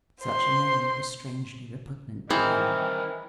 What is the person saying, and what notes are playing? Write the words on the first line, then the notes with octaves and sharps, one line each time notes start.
Such an errand was strangely repugnant to him.
C5 C6
D#3 E3 C4 E4 G#4 A#4